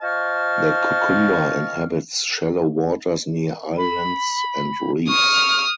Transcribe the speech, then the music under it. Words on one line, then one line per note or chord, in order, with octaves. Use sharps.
The cucumber inhabits shallow waters near islands and reefs.
F4 C5 D#5 A5 C#6 F6
B5
C#6 D#6 F6